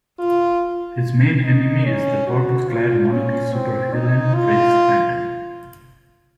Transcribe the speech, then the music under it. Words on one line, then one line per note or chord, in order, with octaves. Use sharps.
His main enemy is the purple-clad wannabe supervillain Fritz Fantom.
F4
D#4
C#4
F#4
F4
C#4
C4
D#4
F4